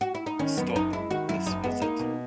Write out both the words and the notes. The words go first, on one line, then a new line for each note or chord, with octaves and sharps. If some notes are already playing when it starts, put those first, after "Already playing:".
Stop this visit.
F#4
E4
D#4
D#3 C#4
F#2 B3
F#1 D#4
G#3 E4
D#3 F#4
F#2 E4
F#1 D#4
G#3 B3
A#3 D#4
B2